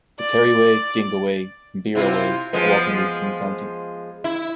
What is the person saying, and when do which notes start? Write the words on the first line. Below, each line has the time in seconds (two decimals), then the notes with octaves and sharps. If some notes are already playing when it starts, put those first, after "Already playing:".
The Kerry Way, Dingle Way and Beara Way are walking routes in the county.
0.20 D5
1.95 C3 E4 F4
2.53 F3 G#3 B3
4.24 E4